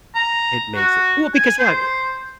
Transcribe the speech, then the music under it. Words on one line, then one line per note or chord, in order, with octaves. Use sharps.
it makes it well, because, yeah it
A#5
F#4
G#5
C5